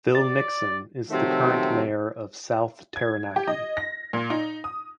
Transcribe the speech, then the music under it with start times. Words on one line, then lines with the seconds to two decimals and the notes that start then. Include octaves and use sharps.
Phil Nixon is the current mayor of South Taranaki.
0.15 D5 A6
1.11 C3 D#3 F3 F#3 A3 C4
2.96 G#6
3.36 G4
3.47 D#5
3.77 A#6
4.13 A#2
4.30 D#4
4.64 D#6